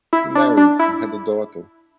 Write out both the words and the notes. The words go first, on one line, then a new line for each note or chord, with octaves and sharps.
He married and had a daughter.
E4
D4
D4
E4